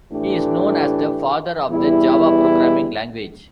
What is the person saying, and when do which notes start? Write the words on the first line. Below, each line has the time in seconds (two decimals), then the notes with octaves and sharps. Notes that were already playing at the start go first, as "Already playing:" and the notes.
He is known as the father of the Java programming language.
0.11 A2 E3 A3 D4 G4
1.69 E2 E3 G3 E4